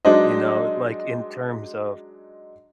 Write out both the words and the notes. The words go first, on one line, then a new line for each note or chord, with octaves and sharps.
you know, like, in terms of,
F#3 G#3 D4 D#4 C5 D#5